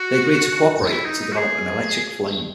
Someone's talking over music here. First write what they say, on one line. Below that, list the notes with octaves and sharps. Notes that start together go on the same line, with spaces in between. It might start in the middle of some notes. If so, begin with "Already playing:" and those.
They agreed to cooperate to develop an electric flame.
Already playing: F#4
E4
D#4
D#4
F#4
G#4